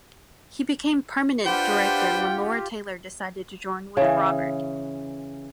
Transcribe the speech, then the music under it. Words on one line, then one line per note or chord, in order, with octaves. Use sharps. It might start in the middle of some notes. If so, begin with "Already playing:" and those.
He became permanent director when Laura Taylor decided to join with Robert.
D4 F4 G4 B4 C5 F#5 G5
C#3 E3